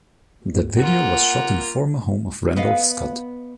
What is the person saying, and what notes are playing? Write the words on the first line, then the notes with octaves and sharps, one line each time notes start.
The video was shot in the former home of Randolph Scott.
A#3 F4 F#5
B3 D#5 F5